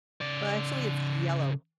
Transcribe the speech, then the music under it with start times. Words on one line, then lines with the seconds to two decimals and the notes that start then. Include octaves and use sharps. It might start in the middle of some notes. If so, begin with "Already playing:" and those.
Well, actually, it's yellow.
0.21 C#3 D5